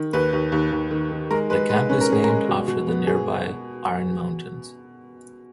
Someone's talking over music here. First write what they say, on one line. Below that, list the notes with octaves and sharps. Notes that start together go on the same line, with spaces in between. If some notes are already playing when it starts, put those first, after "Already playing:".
The camp is named after the near by Iron Mountains.
Already playing: D#3
D#2 B4
D#2
D#2
D#2
D#3
D#3
G#3 A#4
G#3 B4
G#3 B4
C#4 B4
A#4
C#4 G#4
G#3 A#4
B2
B2
B3
B2 G#4